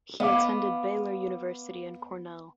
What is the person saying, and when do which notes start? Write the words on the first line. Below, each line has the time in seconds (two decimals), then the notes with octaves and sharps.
He attended Baylor University and Cornell.
0.20 B3 D#5 F5 D6